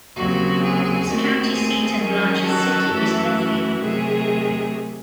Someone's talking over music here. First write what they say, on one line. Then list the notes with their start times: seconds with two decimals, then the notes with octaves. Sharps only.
Its county seat and largest city is Nephi.
0.16 D#2 C#3 F#3 C4 F#4
0.62 G#4
1.07 D#2 D#3 A3 C4 F#4
1.54 G#4
1.99 D#3 F#3 C#4
2.45 F#4 A4
2.90 F#2 E3 A3 C#4 E4
3.36 F#4
3.81 C3 D#3 F#3 A3 G#4